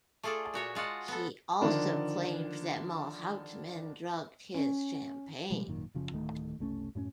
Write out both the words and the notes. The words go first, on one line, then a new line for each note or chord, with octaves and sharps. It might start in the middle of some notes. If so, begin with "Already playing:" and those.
He also claimed that Mol-Houteman drugged his champagne.
A3 F4 G#4 A4 D5
A#2 F#4 C#5 E5
G#3 F4 F#4 F#5 A5
B3 A4
D3 D#3 F3 D4 A#4
C#4
B2 F3 G3 G#3
G#1 F#2 A#2 D#3
F#1 C#3 F3 C#4
D1 D#3 A3
F#1 C2 A3 C#4
F#2 A2 A#3 C#4